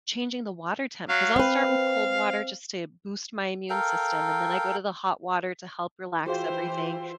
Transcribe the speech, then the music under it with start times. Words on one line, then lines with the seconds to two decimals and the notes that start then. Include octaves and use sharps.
changing the water temp. 'Cause I'll start with cold water just to boost my immune system, and then I go to the hot water to help relax everything,
1.09 F#3 F5
1.36 C4 B4 F5
3.70 A4 A#4 F5 G5
6.27 E3 F4 F#4 G#4 C5 F5 G5
6.77 F4